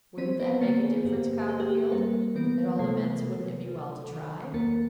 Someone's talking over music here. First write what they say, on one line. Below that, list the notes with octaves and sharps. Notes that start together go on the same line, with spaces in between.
Wouldn't that make a difference, Copperfield? At all events, wouldn't it be well to try?'
F3 C4 C5
B3 B4
D3 A#3 A#4
G#4
G2 G4
A#3 G#4
G4
G#4
G3 A#3 A#4
E3 B3 B4
C3 A3 A4
C3
F#3
D#3
D#2 A#3 A#4